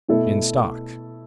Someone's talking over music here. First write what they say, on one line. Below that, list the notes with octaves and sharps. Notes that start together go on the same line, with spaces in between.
"In stock?"
B2 A3 E4 A4